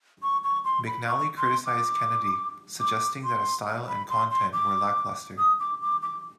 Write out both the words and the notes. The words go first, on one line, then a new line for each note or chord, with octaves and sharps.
McNally criticised Kennedy, suggesting that his style and content were lacklustre.
C#6
C#6
C6
B5
C#6
C6
D6
D6
C6
B5
C6
C6
D6
D#6
D6
D6
D6